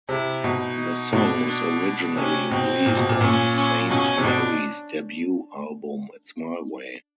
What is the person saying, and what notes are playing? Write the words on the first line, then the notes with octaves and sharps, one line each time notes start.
The song was originally released on Sainte-Marie's debut album It's My Way!
C3 E4
B2 D#4
B2 D4
D4
C3 C#4
B2 C4
A#2
B2
A#2
A#2 C#4
C#4
B2 C#4
C3
B2 D4